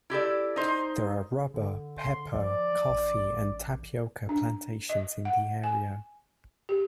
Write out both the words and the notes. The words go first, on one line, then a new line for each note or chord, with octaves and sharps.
There are rubber, pepper, coffee, and tapioca plantations in the area.
E4 G4 A4 D5
D#4 C5
D3
C6
F3 D5
A1
D4
D#5
F#5
G#5
G4